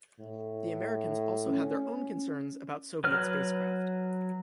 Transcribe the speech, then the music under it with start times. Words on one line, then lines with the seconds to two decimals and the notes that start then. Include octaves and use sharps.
The Americans also had their own concerns about Soviet spacecraft.
0.20 A2
1.45 C#4
3.04 F#3 B4 F6